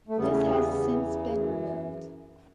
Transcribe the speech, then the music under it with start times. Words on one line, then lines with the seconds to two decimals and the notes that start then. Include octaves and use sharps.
This has since been removed.
0.09 A3
0.17 E2 C#3 E3 G3 B3
0.31 A3 C#4
0.45 G3 B3
0.74 E2 C#3 E3
1.32 F#2 E3